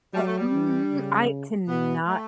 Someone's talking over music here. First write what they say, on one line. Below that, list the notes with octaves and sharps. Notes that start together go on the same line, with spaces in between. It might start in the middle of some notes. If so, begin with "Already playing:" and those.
Uh, mhm, I cannot
F#3 G3
A3
G3
E3
C#3
B2 B3
A3